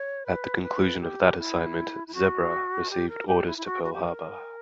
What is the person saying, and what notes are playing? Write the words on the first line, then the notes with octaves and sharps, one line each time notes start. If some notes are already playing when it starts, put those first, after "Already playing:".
At the conclusion of that assignment, "Zebra" received orders to Pearl Harbor.
Already playing: C#5
B4
B4
G4
E4
E4
F#4
G4
A#4
G4
E4
E4
F#4
F#4
G4
A#4